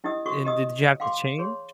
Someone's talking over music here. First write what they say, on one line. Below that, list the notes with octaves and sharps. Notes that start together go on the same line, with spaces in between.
and did you have to change?
C#4 E4 G4 D#5 D#6
F#4 C#6 D#6
G4 D#5 D#6
F5 G5 C6 D6
G#4 C#5 C6